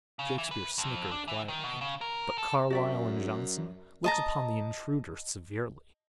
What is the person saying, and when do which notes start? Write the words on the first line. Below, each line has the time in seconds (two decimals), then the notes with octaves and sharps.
Shakespeare snickered quietly, but Carlyle and Johnson looked upon the intruder severely.
0.19 C#3
0.38 E3
0.51 B4
0.78 F2
1.12 D4
1.28 E3
1.48 D#3
1.64 B2
1.81 C#3
2.01 A#4
2.38 A4
2.70 F#2 F#4 D5 E5
4.04 D#5 A5 A#5